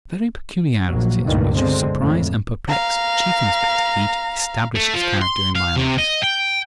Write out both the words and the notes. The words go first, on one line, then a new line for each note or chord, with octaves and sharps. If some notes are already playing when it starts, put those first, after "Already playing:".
The very peculiarities which surprise and perplex Chief Inspector Heat establish its character in my eyes.
A#1 F#3 A#3
C#2 G2 A#2 D#3 E3 A3
B2 D3 G#3 C4
G#1 F2 A2
F5 A#5
A3
F3
C6
F5
C3
D#5
G5